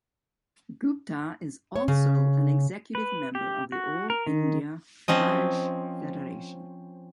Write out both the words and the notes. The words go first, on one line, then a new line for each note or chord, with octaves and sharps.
Gupta is also an executive member of the All India Vaish Federation.
C#5
C#3
B4
G4
F#4
A#4
D#3
F3 C4 C#4 D#5